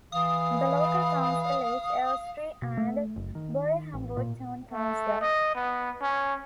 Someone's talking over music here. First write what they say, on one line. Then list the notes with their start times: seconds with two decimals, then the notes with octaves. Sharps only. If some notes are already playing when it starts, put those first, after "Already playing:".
The local council is Elstree and Borehamwood Town Council.
0.12 E3 F5 D#6
2.62 B2
2.77 A3
3.16 F#1
3.35 D#3
3.94 A1
4.17 A#2
4.71 A3
5.21 D#5
5.55 B3
6.02 C#4